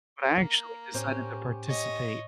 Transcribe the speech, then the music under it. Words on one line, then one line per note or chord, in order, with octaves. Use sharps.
but I actually decided to participate
A#3
A2 C#4 G4 C5
C#5 D#5